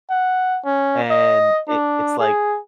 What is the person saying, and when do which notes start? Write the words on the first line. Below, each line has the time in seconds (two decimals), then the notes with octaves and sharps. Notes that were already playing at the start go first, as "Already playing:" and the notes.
And it it’s like
0.10 F#5
0.65 C#4
1.10 D#5
1.69 D4
2.20 G#4